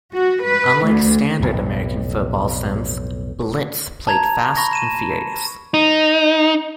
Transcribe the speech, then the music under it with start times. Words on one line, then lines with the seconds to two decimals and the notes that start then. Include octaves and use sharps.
Unlike standard American football sims, "Blitz" played fast and furious.
0.12 F#4
0.44 B4
0.86 D2
1.40 B1 F2 A2
4.07 A5 A#5 G#6 F7
4.57 B5 C#6 A#6
4.73 D#7 E7
5.74 D#4